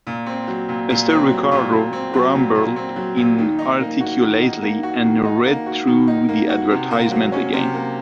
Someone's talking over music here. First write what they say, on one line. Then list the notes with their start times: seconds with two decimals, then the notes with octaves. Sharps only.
Mr. Ricardo grumbled inarticulately, and read through the advertisement again.
0.07 A#2
0.26 C4
0.48 F#3
0.69 A#2
0.90 A#2
1.10 C4
1.30 F#3
1.52 A#2
1.72 A#2
1.93 C4
2.14 F#3
2.35 A#2
2.55 A#2
2.76 C4
2.96 F#3
3.17 A#2
3.38 D#3
3.59 D#4
3.80 A#3
4.00 F#4
4.21 D#3
4.41 D#4
4.62 A#3
4.83 F#4
5.04 D#3
5.25 D#4
5.45 A#3
5.66 F#4
5.87 D#3
6.07 D#4
6.29 A#3
6.49 F#4
6.70 C3
6.91 A#3
7.11 F#3
7.32 C#4
7.53 C3
7.74 A#3